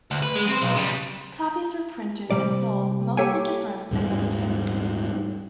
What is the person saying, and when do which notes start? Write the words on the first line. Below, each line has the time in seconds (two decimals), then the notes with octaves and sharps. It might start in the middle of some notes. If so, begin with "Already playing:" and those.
Copies were printed and sold mostly to friends and relatives.
0.11 D2
0.23 B4
0.35 G#3
0.47 C4 C5
0.62 B1
0.75 C#3 G3
2.31 C2 F2 C3 G3 D5
3.17 A#3 G4 A4 C#5 G5 G#5
3.91 D#1 G#2 G3